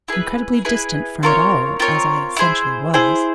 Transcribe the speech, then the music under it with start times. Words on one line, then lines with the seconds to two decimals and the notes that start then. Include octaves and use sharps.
Incredibly distant from it all as I essentially was.
0.08 E4 G#4 B4
0.65 E4 G#4 B4
1.23 C4 F4 A#4 C#5
1.80 C4 F4 A#4 C#5
2.37 E4 G#4 C5
2.94 E4 G#4 C5